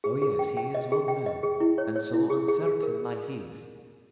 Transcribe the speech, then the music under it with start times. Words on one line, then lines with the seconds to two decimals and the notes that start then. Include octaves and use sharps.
Oh, yes--he is old man, and so uncertain life is.
0.04 G#4
0.22 G#4
0.39 G5
0.57 G5
0.75 D#5
0.92 G#4
1.08 G5
1.26 D#5
1.43 G#4
1.60 E4
1.78 C#5
1.96 C#5
2.13 E4
2.30 G#4
2.48 G#4
2.66 G#4
2.83 A#4